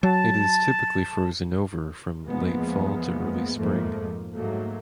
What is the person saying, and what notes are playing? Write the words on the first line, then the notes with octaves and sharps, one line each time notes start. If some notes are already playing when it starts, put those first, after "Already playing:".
It is typically frozen over from late fall to early spring.
F#3 A5
E2 F3 G#3 A#3 B3
F2 G#2 F3 A3 A#3
G#2 F#3 A3 A#3